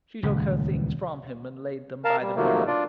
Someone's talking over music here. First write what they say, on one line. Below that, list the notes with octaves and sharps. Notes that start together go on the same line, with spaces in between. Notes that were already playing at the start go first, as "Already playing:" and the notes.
She took her things from him, and laid them by the mirror.
D#1 C#2
A#4 F5 A5
G3
C3 D#3 F3 F#3 A3 A#3
D4 F4 D5